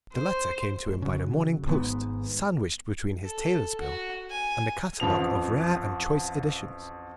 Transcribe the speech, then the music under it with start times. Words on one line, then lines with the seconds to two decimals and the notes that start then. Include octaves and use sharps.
The letter came to him by the morning post, sandwiched between his tailor's bill and a catalogue of Rare and Choice Editions.
0.14 C5
0.86 D1
1.02 C#3 F#3
1.66 G#1 G#2 B3
3.24 A4
3.79 F#4
4.30 G#5
5.00 A1 F2 F3 F7